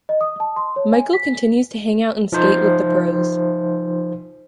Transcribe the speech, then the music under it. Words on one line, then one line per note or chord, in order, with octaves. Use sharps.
Michael continues to hangout and skate with the pros.
D#5
D#6
A5
C6
C#5
G#5
B6
F3 D#4 C5